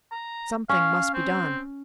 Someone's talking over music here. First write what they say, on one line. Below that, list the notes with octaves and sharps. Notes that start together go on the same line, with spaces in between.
Something must be done.
A#5
C#4 F5
C4